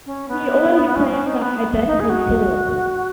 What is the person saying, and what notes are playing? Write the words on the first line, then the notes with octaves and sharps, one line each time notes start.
'He always claimed that I bent his sword.
C#4
B3
C#4
C#4
D#4
B3
D#4
G#4
F#4